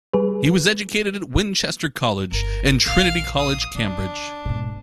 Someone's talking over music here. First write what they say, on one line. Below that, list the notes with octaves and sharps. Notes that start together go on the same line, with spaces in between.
He was educated at Winchester College and Trinity College, Cambridge.
G3 G#4 B4
G1 A#4
A#1 F5 F6
D#6
D3 D4
G#2 B2